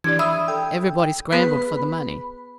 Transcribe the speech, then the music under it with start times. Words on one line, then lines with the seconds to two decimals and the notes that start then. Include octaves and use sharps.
Everybody scrambled for the money.
0.04 E3 D4 G4 D5 G#6
0.19 E5 B5 D#6 E6
0.48 A4 G5
1.32 B3 G#4 B4 B5